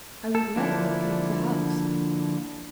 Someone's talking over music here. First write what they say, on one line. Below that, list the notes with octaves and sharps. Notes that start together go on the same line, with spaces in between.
I would rather have kept the house.
A4
D3 F3 A#3 D4 E4